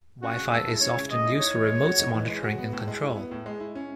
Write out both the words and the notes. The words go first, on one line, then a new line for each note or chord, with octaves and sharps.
Wi-Fi is often used for remote monitoring and control.
C#4 F#4
C#3
G#3 A4
E4
C#4 C#5
C#3
G#3 D#5
E4
D#4 C#5
E3
G#3
F#4
D#4
E3
G#3
F#4
B3
A2
G#3
E4
B3
A2
G#3
E4
C#4